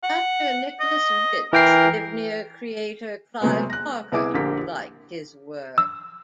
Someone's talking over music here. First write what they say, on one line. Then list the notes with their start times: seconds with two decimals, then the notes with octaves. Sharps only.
Actor Nicholas Vince lived near creator Clive Barker, who liked his work.
0.04 F#5
0.80 D#5
1.53 E3 A#4 G5 C7
3.41 C3 F#3 G#3 A3 B3 C4
3.70 F#6 A#6
4.12 C2 B3 E4 G#4 D6
4.34 A#1 D3 G4 A#4 B6
5.78 E6